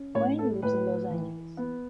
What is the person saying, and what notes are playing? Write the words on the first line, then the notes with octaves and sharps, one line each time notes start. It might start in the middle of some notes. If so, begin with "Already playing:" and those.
Wain lives in Los Angeles.
Already playing: C#4
A2 C#5
A4
A2 B4
E3
B3